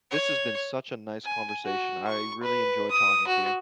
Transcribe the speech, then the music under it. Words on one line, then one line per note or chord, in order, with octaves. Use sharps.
This has been such a nice conversation, I really enjoyed talking to you.
C#5
G#5
F#4
C#6
B4
D#6
F#4